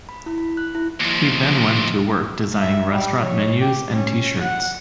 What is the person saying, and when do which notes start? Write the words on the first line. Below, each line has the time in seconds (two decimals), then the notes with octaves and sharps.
He then went to work designing restaurant menus and t-shirts.
0.09 B5
0.26 E4
0.38 B5
0.57 F#6
0.75 E4
1.00 D#2 F3
2.59 E5
2.92 G3
3.21 C#5
3.59 G4
3.92 C#4
4.41 F#5